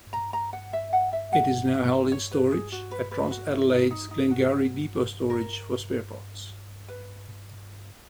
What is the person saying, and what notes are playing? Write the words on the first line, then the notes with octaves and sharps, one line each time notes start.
It is now held in storage at Transadelaide's Glengowrie depot storage for spare parts.
A#5
A#5
F#5
E5
F#5
E5
F#5
C#5
B4
G#4
F#4
B4
B4
F#4
E4
D#4
D#4
D#4
F#4
A#4
B4